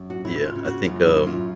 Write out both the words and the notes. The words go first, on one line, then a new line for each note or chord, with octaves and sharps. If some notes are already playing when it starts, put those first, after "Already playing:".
Yeah, I think, um,
Already playing: F#2
F#4
C#3 E4
F4
C#3
F#4
F#2 F4
E4
F#2
F4